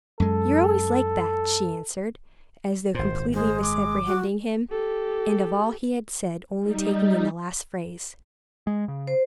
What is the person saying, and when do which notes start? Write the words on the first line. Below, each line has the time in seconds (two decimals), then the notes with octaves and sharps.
"You're always like that," she answered, as though completely misapprehending him, and of all he had said only taking in the last phrase.
0.20 F#2 G#3 A4
2.95 G#1 A#2 C5
3.33 G#3 C5
3.62 D6
4.06 F#4
4.71 G4 A4
6.60 G3 D#4
8.67 G#3
8.88 C#3
9.07 C5